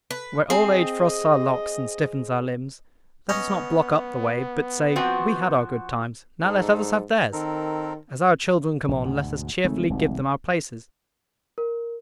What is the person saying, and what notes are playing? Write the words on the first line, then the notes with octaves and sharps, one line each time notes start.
When old age frosts our locks, and stiffens our limbs, let us not block up the way, but say, "We had our good times: now let others have theirs." As our children come on, let us cheerfully give them our places.
B4
C4 G#4 D#5
B3 C#4 D#5
F3 C4 F#4 G5 C#6
G#2 D4 D#4 A4
D#3 C4 A4 A#4
A#1
D2 G#2 B2
G#1 C#3 A3
F1 C2
A#4